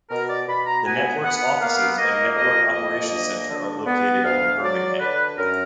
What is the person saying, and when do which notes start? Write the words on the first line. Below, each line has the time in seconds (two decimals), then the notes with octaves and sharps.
The network's offices and network operations center are located in Birmingham.
0.10 B2 A#4
0.30 D5
0.48 B2 B5
0.66 A#5
0.85 B3 G#5
1.24 B3 F#5
1.61 A#3 F5
1.98 A#3 D#5
2.36 F2 D#5
2.74 A#3 D#5
3.11 D2
3.50 D3
3.87 B3
4.25 D2 F5
4.62 F#3 D5
5.00 D3 B4
5.38 F#2 A#4